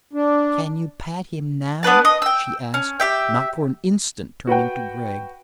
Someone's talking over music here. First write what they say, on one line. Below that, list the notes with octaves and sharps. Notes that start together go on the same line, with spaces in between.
"Can you pat him now?" she asked, not for an instant turning to Gregg.
D4
B3 D4 B4 A5
D#5
G5 E6
C#4
G4 E5 G5
F#4 B4 F#5 G5